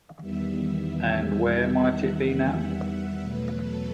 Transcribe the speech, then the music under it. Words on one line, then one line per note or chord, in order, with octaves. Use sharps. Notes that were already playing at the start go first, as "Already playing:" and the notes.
And where might it be now?
E2 D#3 G3 B3 E5
F#5
E5
E2 B2 F#3 A3 B4
A4